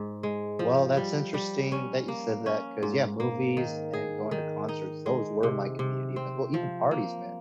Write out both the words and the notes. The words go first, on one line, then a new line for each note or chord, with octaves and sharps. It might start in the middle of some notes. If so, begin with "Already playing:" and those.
Well, that's interesting that you said that, 'cause, yeah, movies and going to concerts, those were my community, but well, even parties, man.
Already playing: G#2
G#3
F3
G3
G3
C#4
A#3
C#4
G#2
A#3
D#3
G#4
D#3
D#4
G#3
C3
C3
C4
F3
A#3